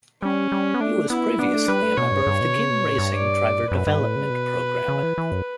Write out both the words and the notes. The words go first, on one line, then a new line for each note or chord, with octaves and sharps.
He was previously a member of the Ginn Racing driver development program.
G3 C#4
G3
B3
A3 D4
B3 E4
B3 D4
A3
G3 B4
A3
B2 C#5
G2
G2
B2
C#3
B2
A2
G2
D5
F#2 B4
G2
A2
C#3
B2
C#3
E3
E3
F#2